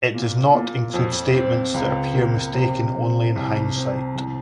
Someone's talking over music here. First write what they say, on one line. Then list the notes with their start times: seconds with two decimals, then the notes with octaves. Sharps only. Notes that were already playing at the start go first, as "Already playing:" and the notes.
It does not include statements that appear mistaken only in hindsight.
0.14 A#2
0.54 A#2
0.94 F2
1.34 C4
1.74 C#2
2.15 A#3
2.54 C3
2.95 C3
3.36 C2
3.76 C4
4.15 C2